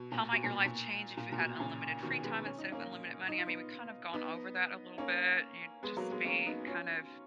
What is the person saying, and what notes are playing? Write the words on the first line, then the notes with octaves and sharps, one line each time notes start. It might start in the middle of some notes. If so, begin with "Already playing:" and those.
How might your life change if you had unlimited free time instead of unlimited money? I mean, we've kind of gone over that a little bit. You'd just be kind of
Already playing: B2
A#2
B2
A#2
A#2
A#2
A#2
B2
A#2 C#3
B2 D#3
G#3 B3
C#4
D#4
A#3 C#4
D#4
F4
B3 D#4
B3 D#4
A#3 C#4
G#3 B3
F#3 A#3
G#3 B3
A#3 C#4
B3 D#4
C#4 F4